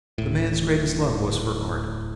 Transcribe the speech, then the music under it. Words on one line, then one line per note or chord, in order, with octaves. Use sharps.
The man's greatest love was for art.
D1 A2